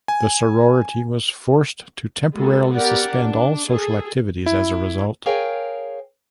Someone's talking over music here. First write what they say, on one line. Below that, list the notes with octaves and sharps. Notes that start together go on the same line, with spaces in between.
The sorority was forced to temporarily suspend all social activities as a result.
G#5
G#3 B3 F#4 A4
B3 G4 A#4 D5 F#5
D4
G#4 A4
E4
G#4 A#4 C#5 F5 G5 G#5